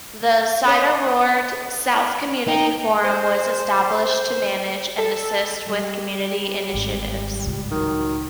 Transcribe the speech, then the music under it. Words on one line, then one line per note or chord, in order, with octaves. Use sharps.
The Suideroord South Community Forum was established to manage and assist with community initiatives.
C#4 C5 C#5 D#5
D#4 G5
C5
A4
G3
G#1 G#2
C#2 A2
D#3 F#3